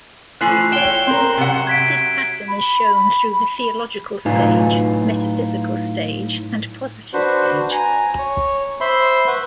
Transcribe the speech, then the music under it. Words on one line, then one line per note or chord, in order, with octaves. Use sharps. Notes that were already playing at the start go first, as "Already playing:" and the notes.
This pattern is shown through the theological stage, metaphysical stage, and positive stage.
E3 F3 A3 F#6 C7 F#7
C#5 G5 E7 G7
C4 A#4
C3 F#3 F#5
G#6 B6 D7
B5
A2 F#3 D#4 F4 B4 G#5
D4 F#4 B4 C5
G#5 A#5
C#5
C5 E5 B5 C6
B4 F#5 C#6